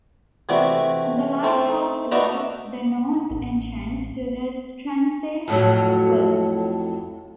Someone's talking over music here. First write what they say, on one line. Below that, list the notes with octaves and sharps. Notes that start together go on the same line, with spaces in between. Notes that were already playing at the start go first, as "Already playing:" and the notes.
The lighthouse lights the north entrance to the Stronsay Firth.
C3 E3 A3 F#4 D5
A3 C4 A4
D#4 F#4 B4 D5 E5 A#5
A1
F2 A2 F#3